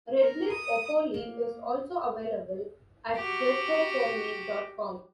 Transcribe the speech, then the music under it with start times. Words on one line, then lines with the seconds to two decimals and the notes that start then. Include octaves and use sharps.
Redneck Opoly is also available at ghettopoly dot com.
0.21 A#4
0.53 D#6
1.14 A#3
3.15 F#4 G4